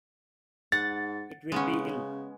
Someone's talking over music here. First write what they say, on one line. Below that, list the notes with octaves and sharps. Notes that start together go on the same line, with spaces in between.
It will be ill.
G#2 F#5 A6
C#3 G#3 B3 C#4